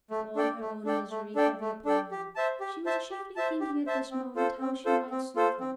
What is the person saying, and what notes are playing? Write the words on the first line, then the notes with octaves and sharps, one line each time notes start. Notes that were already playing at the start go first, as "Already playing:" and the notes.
With all her own misery heavy upon her, she was chiefly thinking at this moment how she might soothe him.
A3
D4 A4 D5 G5
A3
D4 A4 D5 G5
A3
D4 A4 D5 G5
A3
D4 A4 D5 G5
G4
C5 E5 A5
G4
C5 E5 A5
G4
C5 E5 A5
G4
C5 E5 A5
C4
F4 A4 C5
C4
F4 A4 C5
C4
F4 A4 C5
C4